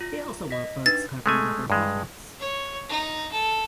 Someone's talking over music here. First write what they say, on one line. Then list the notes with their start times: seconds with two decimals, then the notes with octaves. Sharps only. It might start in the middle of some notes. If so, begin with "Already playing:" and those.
He also wrote books covering other topics.
0.01 F4 A#6
0.51 D#5 A#6 B6
0.86 D4 D#4 B4 A6
1.26 G#3 A3 G#5
1.70 G2 G#3
2.40 C#5
2.89 D#4
3.32 A4